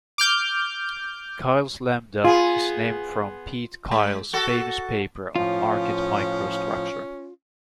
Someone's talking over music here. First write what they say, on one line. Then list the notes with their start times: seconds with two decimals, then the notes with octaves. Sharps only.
Kyle's lambda is named from Pete Kyle's famous paper on market microstructure.
0.18 D6 F6 G6
2.24 B3 F4 G#4
3.91 G#3
4.33 F#4 A4
5.36 A2 F3 C#4 F4